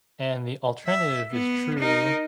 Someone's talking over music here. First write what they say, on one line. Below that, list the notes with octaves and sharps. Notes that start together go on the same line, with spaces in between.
And the alternative is true.
E5
B3
D#4 A#4